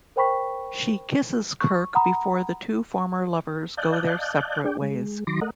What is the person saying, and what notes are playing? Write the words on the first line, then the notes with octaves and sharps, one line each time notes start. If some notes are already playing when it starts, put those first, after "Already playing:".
She kisses Kirk before the two former lovers go their separate ways.
A#4 C5 G5 B5 C#6 B6
C#6
F#5 A#5 B5 D#6
D5 D#5 F5 A5 F#6 G6
D4 G#4 D5 G5
G#3
D#3 F#3 C6 D6 A#6
A3 A#4 D#5 F#5